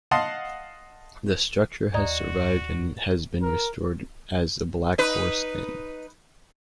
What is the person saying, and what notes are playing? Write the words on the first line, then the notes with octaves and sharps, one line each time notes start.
The structure has survived and has been restored as the Black Horse Inn.
D#5 F5 F#5 A5 C6 D#6
D#2 F#4 D5 D#5 A#5
A#4
D#4 B4